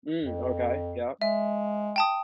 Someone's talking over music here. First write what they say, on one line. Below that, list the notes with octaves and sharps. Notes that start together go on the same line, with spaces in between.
Mm, okay. Yep.
F2
G#3 E5
G5 A5 D#6